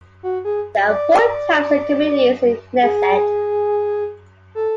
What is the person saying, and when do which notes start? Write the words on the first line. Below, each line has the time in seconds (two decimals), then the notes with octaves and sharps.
There are four types of committees in the Knesset.
0.23 F#4
0.45 G#4
0.88 D5
2.83 G#4
4.55 A4